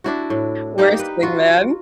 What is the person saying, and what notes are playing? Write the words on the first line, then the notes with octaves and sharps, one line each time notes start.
worst wingman,
D4 E4 F#4
A2
G3 A#3 D#4 G4
B4
F4 F#4